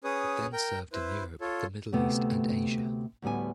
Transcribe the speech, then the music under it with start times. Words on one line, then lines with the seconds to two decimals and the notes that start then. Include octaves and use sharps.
It then served in Europe, the Middle East and Asia.
0.04 C#4 G#4 B4 C#5 D#6
0.53 A#4 G5
0.93 E4 B4 C5
1.41 F4 A4 C#5
1.92 D2 C3 A3 B3
3.22 D2 A2 G3 B3 G#5